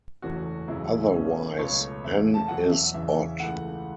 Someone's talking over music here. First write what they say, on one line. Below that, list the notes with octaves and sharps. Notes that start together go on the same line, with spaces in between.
Otherwise "n" is odd.
F#1 E2 E3 A3 C#4 F#4
E1 E2 C#3 F#3 E4
B1 B2 A3 C#4
C#2 B2 F#3 A3 C#5
E2 C#3 A3 C#4 E5
A5
E2 B2 F#3 F#5
E5
E2 C#3 E3 C#4 E5
C#2 C#3 E3 A3 F#5